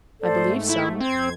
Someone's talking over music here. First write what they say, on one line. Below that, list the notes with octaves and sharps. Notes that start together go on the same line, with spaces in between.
"I believe so."
G#2 A3 A4 C5 D5
E4 E5
F2 C4 C5 G#6